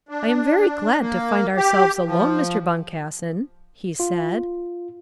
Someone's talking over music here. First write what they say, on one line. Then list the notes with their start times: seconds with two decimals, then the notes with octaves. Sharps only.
"I am very glad to find ourselves alone, Mr. Boncassen," he said.
0.09 D4
1.00 A#3
1.57 G4
2.06 F3
4.00 F4